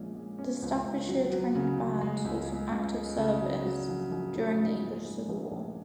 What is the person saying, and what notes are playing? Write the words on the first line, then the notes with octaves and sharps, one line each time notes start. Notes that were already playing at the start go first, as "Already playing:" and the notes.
The Staffordshire Trained Bands saw some active service during the English Civil War.
Already playing: A#1 A#2 G#3 C#4
G#3
C#4
C#2
C#2
F#3
F#3
C#3
C#3
G#3
C#2
G#3
C#2
G#3
C#3
F#3
F#3
A#1
A#1
A#1
G#2
A#2
G#3
A#1
A#1